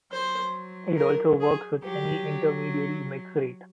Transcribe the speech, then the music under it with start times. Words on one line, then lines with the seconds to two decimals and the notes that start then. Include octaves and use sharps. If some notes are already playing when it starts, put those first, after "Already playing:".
It also works with any intermediary mix rate.
0.12 F#3 C5
0.97 A#4
1.40 G#4
1.82 F#3 G4